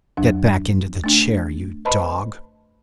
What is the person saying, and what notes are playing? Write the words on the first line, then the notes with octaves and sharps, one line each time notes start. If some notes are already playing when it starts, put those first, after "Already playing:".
Get back into the chair, you dog!
F2 F#3 D4
A3 D4
B4 C5 D#5 A5 B5 C6